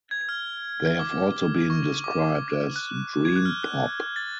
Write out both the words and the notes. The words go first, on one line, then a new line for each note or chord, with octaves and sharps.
They have also been described as dream pop.
G#6
F6
D6
C#6
D6
F#6
G#6
F#6
F6
F#6
A6